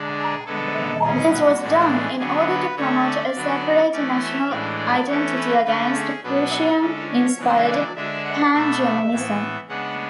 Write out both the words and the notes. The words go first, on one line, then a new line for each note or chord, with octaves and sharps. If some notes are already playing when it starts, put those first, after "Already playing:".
This was done in order to promote a separate national identity against Prussian-inspired Pan-Germanism.
Already playing: D3 G#3 D4
G#4
D3 G#3 B3 A4
B2 F#3 C#4 G#4
F#4
A2 E3 G#3 D4
G#4
D3 F#3 B3 G#4
B4
D3 A3 C#4 C#5
D5
D3 F#3 B3 D4
E3 A3 C#4 D5
E5
A2 E3 G#3 D4 D5
D5
E3 A3 C#4 C#5
B4
D3 A3 C#4 B4
G#4
B2 F#3 B3 D4 B4
A4
D3 G#3 C#4
C#5
C#3 E3 G#3 D4
D5
D3 G#3 D4 E5
F#5
B2 A3 D4 E5
E5
A2 E3 B3
C#3 G#3 B3 D4 F#5